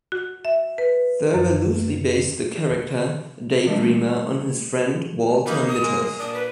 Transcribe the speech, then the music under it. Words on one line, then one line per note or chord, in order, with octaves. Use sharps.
Thurber loosely based the character, a daydreamer, on his friend Walter Mithoff.
F#4
E5
B4
F#2
E3 G3 A3 D4
A#3 D#4 B5
D#6
G#3 A#3
A#2 D4 D#6
B4